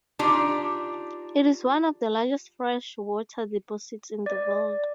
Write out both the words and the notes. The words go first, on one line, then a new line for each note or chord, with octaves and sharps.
It is one of the largest freshwater deposits in the world.
D4 D#4 F4 G4
D5